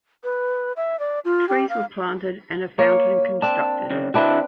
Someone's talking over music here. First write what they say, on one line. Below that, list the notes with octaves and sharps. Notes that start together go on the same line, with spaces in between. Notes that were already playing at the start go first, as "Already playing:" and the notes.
Trees were planted, and a fountain constructed.
B4
E5
D5
F4
G4
F5
A#3 C#5
C4 D4 A5
C#3 F#3
D3 C4 D4 E4 F#4 B4